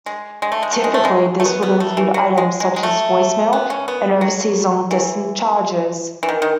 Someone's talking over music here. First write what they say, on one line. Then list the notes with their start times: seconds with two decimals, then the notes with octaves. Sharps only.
Typically this would include items such as voice mail and overseas long distance charges.
0.06 G#3
0.42 G#3
0.52 A3
0.63 G#3
0.73 A3
0.84 G#3
0.94 A3
1.05 G#3
1.40 A3
1.45 B3
1.63 B3
1.80 A3
1.97 E3
2.14 F#3
2.38 G#3
2.60 G#3
2.76 G#3
2.83 A3
3.53 B3
3.70 C#4
3.88 B3
4.21 F#3
4.91 E3
6.23 E3
6.29 D#3
6.42 D#3